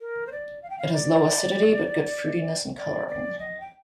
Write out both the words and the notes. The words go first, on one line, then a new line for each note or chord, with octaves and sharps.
It has low acidity but good fruitiness and coloring.
A#4
C5
D5
F5
G5
F5
D5
D5
D5
D#5
G5